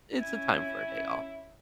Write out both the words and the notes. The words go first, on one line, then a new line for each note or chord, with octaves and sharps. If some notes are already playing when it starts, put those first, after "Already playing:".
it's a time for a day off",
C#4 E4 G#5